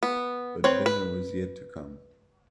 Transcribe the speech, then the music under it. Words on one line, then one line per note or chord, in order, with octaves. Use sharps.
But better was yet to come.
B3
C4 B4 C#5
B4